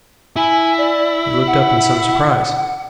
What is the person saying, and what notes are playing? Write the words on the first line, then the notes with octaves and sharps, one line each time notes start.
He looked up in some surprise.
E4 G#5
D5
F#5